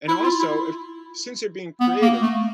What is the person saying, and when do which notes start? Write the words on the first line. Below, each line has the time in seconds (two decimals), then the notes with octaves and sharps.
and also if since you're being creative,
0.08 E4
0.24 F4
0.40 E4
1.80 B3
2.02 A#3
2.22 A3